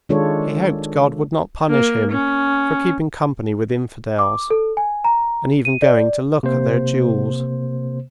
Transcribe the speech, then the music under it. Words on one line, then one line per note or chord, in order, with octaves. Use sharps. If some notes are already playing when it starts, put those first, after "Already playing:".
He hoped God would not punish him for keeping company with infidels, and even going to look at their duels.
D#3 G#3 D4 F4 A4 C#5
A#3
C#4
D6
A4
G#5
A#5
D#7
D5
C3 A#3 C5